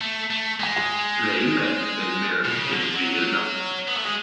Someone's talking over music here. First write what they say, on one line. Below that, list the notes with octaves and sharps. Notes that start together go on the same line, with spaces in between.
They met and married in Vietnam.
A3
A3
G#3
B2
C#3
D3
F3
F#3
B3
A3
G#3